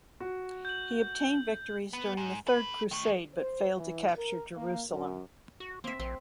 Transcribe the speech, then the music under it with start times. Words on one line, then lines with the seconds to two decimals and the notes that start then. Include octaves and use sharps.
He obtained victories during the Third Crusade, but failed to capture Jerusalem.
0.20 F#4
0.65 G6 F#7
1.93 B3
2.17 G#2
2.47 A4 B5
2.91 D#3 A3
3.35 C5
3.76 E3
4.17 A#4
4.55 A#3
4.90 F#2
5.60 F#4
5.84 A#3 C4 E5
5.99 A#1 C4 C6